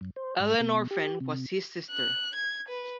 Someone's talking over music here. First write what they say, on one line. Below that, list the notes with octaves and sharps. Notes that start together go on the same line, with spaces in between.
Ellenor Fenn was his sister.
F#2
C5
G#2
B2
G4
C3
F#6
G#6
B4